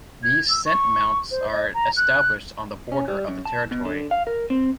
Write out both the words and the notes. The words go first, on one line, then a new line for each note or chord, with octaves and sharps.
These scent mounts are established on the border of the territory.
G#6
E6
C#6
C5
D#5
A#5
F#6
C#4
G3
F#2
A5
B2
D3
F5
A#4
C4